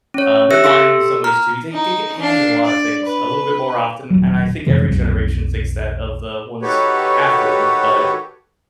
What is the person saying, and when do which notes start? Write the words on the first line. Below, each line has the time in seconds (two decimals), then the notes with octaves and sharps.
um, and mine, in some ways too, they they get handed a lotta things a little bit more often, and I think every generation thinks that of the ones after them. But,
0.14 C#4 C#5
0.51 G4 E5 E6 F#6 A#6
0.64 G4 A4 C6 E6
1.24 A#5 F6
1.73 D#4
2.20 D4 F5
2.63 D5
3.05 B4
4.10 D#1 F#3
4.67 F2 C3 E3 G#3
4.88 B1 F2
6.62 D#3 F#4 G4 A4 B4 C#5